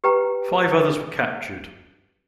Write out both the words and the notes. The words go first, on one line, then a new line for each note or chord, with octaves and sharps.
Five others were captured.
G4 B4 G5 A#5